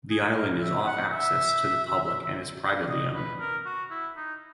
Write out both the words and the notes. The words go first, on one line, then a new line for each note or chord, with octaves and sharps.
The island is off access to the public and is privately owned.
G#4
A#4
E5
F#5
E5
D#5
B4
A#4
F#4
E4
D#4